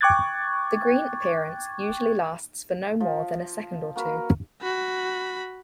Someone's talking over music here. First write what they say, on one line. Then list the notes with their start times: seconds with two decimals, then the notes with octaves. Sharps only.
The green appearance usually lasts for no more than a second or two.
0.01 G5 C#6 D6 F#6 G#6 A6
3.00 F3
3.96 A#3 F#4 A#4 B4
4.62 F#4 B5